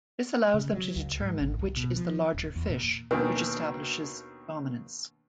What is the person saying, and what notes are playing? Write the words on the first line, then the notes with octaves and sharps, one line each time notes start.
This allows them to determine which is the larger fish, which establishes dominance.
C#3
F#3
C#2
G#2
G#1
C2
B2
F3
D#1
E2
A#2
D#2 B2 D#3 D4 B4